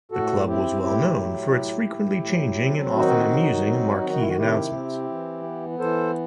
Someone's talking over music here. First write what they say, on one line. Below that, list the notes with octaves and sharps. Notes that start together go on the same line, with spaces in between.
The club was well known for its frequently changing and often amusing marquee announcements.
A2 F#4 A4
C4 E4 G4
A2 E4 G4
F#3
A2
A2
F#3
C4
D#3 D#4 F#4
F#3
C4
D#3 C4
D#4
E4
F#4
C3 E4 G4
C4
E3
B3
E3 A4 C5